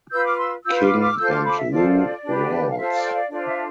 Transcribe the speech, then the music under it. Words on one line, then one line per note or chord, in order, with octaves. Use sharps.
King, and Lou Rawls.
F4 B4 E6 G6
D6 F6
C6 E6
F4 B4 E6 G6
D6 F6
D6 F6
F4 A4 C5 E6 G6
D6 F6
B5 D6
E5
F4 A4 C5 D5
D4 G4 B4
F5
F4 A4 C5 E5
D5 F5
G5
D5 F5
D4 F4 A4 C5 D5
E5